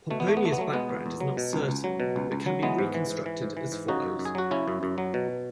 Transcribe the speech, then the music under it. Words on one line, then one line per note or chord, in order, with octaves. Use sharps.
Pomponia's background is not certain, but can be reconstructed as follows.
B2 A3
B3
E2 A3
B3
E2 A3
B3
F#3 A3
B2 G#3 B3
E2
E2
F#3
B2
C#2
C#2
F#3
B2
C#2
C#2
F#3
E3 G#3 B3
G#2
E3
G#2
E3
G#2
E3
G#2
C#3 D#4 F#4
F#2
F#2
G#4
F#3 F#4
C#3 C#4 E4
F#2
F#2
F#3
B2